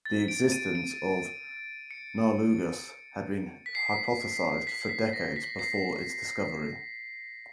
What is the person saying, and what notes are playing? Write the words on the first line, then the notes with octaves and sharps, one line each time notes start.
The existence of narlugas had been hypothesized for decades before its discovery.
A6
D7
D#7
D7
C#7
B6
C7
B6
C7
B6
A#6
B6
C7